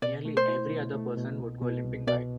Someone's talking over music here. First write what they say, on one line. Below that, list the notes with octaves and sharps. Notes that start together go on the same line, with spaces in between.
Nearly every other person would go limping by.
B2 D5
A3
C5
E4
B2
A3
B2
C2
B2
C2
B2 D5